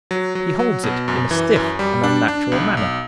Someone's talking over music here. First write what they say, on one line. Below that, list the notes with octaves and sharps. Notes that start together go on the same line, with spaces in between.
He holds it in a stiff and unnatural manner.
F#3
F#3
F#3
B2
F#2
E3
F#2
G3
D4
D4
B1
B1